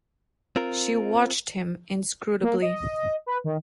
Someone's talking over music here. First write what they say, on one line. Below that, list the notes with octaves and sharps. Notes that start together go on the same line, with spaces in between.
She watched him inscrutably.
C4 F4 A#4
A#3
D#5
B4
D#3